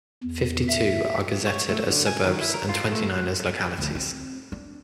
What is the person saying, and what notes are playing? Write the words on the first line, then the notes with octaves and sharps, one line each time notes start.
Fifty-two are gazetted as suburbs and twenty-nine as localities.
E2
E5
C#5
A3
D3
G#5
D#3
E4
A#4
F4
A3
F#6
D2
C4
D4